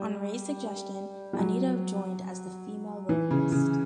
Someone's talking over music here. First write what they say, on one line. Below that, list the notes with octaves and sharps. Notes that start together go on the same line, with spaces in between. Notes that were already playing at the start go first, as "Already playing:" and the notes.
On Ray's suggestion, Anita joined as the female vocalist.
Already playing: G3
G3
F#3
E3
C#3
C#3